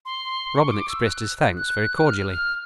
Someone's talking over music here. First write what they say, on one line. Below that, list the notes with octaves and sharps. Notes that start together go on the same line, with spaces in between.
Robin expressed his thanks very cordially.
C6
C#6
D6
E6
F#6
F#6
F6
F6